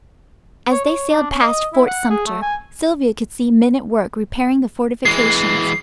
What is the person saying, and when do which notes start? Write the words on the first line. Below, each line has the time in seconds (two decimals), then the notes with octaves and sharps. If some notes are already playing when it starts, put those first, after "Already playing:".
As they sailed past Fort Sumter Sylvia could see men at work repairing the fortifications.
0.72 C#5
0.85 C#5
1.10 D4
1.30 C#4
1.42 D#5
1.73 E4
1.87 F#5
2.10 G#4
2.26 A3
2.42 G#5
5.05 E3 G#3 C7